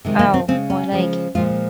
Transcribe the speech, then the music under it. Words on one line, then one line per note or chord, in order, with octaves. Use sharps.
Ow! My leg!
C3 D#3 G#3
A#3
C4
C#3 G#3 C4
C#4
C#3 F3 G#3
A#2 F3 G#3 F4